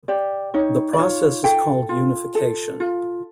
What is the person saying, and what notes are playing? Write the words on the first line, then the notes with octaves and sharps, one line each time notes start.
The process is called unification.
G4 D5
D#4 C#5
D5
F4 C#5
A4 G5
F4
A4
F4